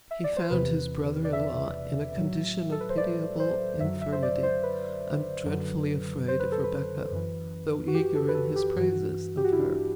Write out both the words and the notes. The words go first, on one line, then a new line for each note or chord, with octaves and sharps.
He found his brother-in-law in a condition of pitiable infirmity--and dreadfully afraid of Rebecca, though eager in his praises of her.
E5
D5
C5
E2 C3 E3 B4
D5
E5
A2 F#3
A4
B4
C5
D5
C5
F#2 D3 F#3 E5
E5
C5
D5
C5
B4
F#2 D3 F#3
C5
B4
A4
B4
F#2 E3
F#4
G4
A4
B4
A4
G4
G2 E3 F#4
G4
F#4
E4
D4